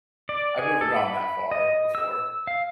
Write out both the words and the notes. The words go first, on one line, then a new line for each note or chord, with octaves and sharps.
I've never gone that far before.
D5
G#4
A4
B5
D#5
E6
F5